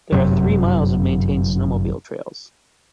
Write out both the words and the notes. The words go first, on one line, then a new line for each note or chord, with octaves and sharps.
There are three miles of maintained snowmobile trails.
G1 F#2 C3 F#3